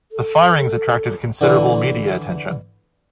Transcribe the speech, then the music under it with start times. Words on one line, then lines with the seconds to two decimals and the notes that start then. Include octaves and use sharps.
The firings attracted considerable media attention.
0.12 A4
1.41 D3 E3